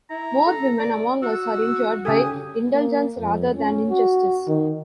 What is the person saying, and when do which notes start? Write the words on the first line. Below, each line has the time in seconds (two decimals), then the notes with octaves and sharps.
More women among us are injured by indulgence rather than injustice.
0.10 E4 A#5
0.46 A4
0.79 D5
1.22 F#4 E6
2.05 C#3 G4 A4 G#5 D#6
2.73 A#3
3.19 F2
3.56 C#4
3.90 F#4
4.47 D#3